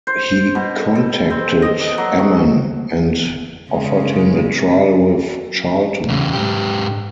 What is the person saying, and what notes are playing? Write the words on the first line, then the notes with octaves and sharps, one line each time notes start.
He contacted Ammann and offered him a trial with Charlton.
C5
B2
A4
C4
D#5
D#5
F#3
C#6
C#3 G#3
E2 C#3
G#2 G4